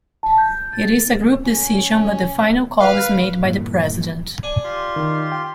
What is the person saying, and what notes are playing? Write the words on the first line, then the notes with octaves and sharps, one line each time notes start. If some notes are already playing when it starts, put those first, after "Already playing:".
It is a group decision but the final call is made by the president.
A5
G6
A6
C#4
B4 F5
G2 A#2 E3
D4 G#5
F4 G4 C6
D#3
G5